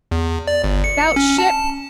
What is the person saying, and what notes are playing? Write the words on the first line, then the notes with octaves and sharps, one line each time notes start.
Bout ship.
E2
D5
G1
C#7
C#4
A5